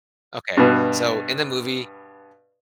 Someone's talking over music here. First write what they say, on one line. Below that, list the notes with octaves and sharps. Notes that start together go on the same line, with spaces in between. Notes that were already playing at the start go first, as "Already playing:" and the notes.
Okay, so, in the movie,
G2 B2